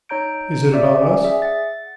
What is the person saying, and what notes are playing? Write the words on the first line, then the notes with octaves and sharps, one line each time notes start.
"Is it about us?"
D#4 C#5 A#5 G6 D7
G4 D5 E5
C#4 D5
G#4 E5
F#5 A6